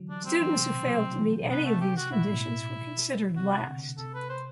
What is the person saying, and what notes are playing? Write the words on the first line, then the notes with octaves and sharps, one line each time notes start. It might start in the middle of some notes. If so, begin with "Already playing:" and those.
Students who failed to meet any of these conditions were considered last.
Already playing: D3 E3 F#3
G3 D4
F#3 C4
E3
C3
B2
F#3
F#3
E3
B2
C3 B3
A3
G4
F#4
B2 E4
A2
B2
C3 F#4
C3
D3
C3 A4
B4
C5